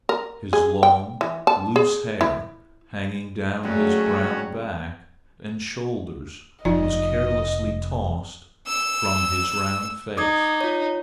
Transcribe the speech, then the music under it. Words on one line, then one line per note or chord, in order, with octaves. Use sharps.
His long, loose hair hanging down his brown back and shoulders was carelessly tossed from his round face.
A#4
G#4
G5
E3
A5
G#4
E4
C#3 F#3 G3 A3 A#3 C#4 F#4 C#5
F1 F3 D#4 F4 D5 D#5
E6
D#4 D6 D#6 G#6
F4 C#5